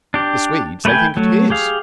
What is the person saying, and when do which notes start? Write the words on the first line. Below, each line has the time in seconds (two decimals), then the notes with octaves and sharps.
The Swedes, they think it his.
0.14 D4 G4
0.85 A3 B4 C#5 G5 G#5
1.17 F#3 A3
1.50 G4 G#4 F5